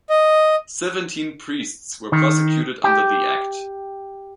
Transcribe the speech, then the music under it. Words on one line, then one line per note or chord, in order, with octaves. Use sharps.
Seventeen priests were prosecuted under the act.
D#5
D#3
G4